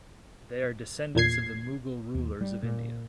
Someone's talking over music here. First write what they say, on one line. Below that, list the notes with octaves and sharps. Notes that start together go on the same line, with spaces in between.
They are descendants of the Mughal rulers of India.
E2 A#2 G#6 C7
D#2
G3
A#2